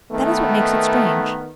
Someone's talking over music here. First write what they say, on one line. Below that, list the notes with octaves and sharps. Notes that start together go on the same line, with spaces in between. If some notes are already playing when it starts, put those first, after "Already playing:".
That is what makes it strange.
D#3 A3 B3